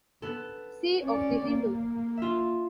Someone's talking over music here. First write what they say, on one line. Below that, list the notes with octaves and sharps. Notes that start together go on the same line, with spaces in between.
C of The Hindu.
B3 A4
C#4 D5
A#3
F4 E5